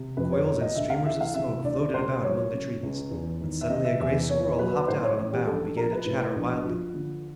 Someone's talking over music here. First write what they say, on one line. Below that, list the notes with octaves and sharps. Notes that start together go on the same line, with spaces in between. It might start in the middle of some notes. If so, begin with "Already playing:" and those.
Coils and streamers of smoke floated about among the trees, and suddenly a gray squirrel hopped out on a bough and began to chatter wildly.
Already playing: C3
F2 B4
C#5
G1 C#5
D#5
D2 E5
F5
E3 E5
F5
C3 E5
D2 D5
C#2 C5
F#3 C#5
C#3
C#2
E2
D#3
E5
C3 D#5
E5
E2 E5
A#3 C#5
F#3 B4
A2 C5
C#5
A1 C#5
G4
A#1 A4
F3 A#4
B4
A2
A#1
F3
D3